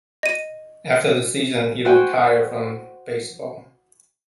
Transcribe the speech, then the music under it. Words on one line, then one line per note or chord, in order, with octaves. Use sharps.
After the season, he retired from baseball.
D#5 D#7
F#4 C5 G5 G#5